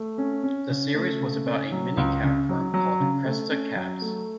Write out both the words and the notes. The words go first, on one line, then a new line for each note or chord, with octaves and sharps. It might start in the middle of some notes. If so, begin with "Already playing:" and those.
The series was about a mini-cab firm called Cresta Cabs.
Already playing: A3
C#4
C#4
C#3
A3
C#3
C#4
F#3
C#2
C#3
F#3
F#3
C#3
A3
C#4
F#3
A3